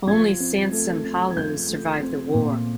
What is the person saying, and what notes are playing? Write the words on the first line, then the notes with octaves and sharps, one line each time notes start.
Only Sansom-Hallowes survived the war.
F3 G#6
C4
A3
C4
G#6
F3 G6
A3
C4
A#2